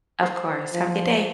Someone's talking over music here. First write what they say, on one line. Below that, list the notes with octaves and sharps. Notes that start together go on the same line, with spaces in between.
Of course. Have a good day.
C5
F3